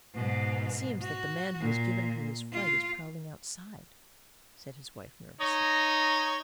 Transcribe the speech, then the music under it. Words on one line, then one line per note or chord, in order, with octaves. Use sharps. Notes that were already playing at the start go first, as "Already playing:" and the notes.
"It seems that the man who has given her this fright is prowling outside," said his wife nervously.
G#2 B2
F#4
A#2
F4
D#4 C#5 D#5